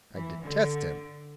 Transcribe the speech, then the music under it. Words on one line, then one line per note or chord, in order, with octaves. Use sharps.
I detest him!
E3
D3